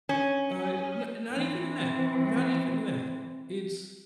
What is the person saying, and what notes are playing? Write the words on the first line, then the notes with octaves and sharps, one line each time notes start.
Uh, n not even that. Not even that. It's
C#4
E3 C4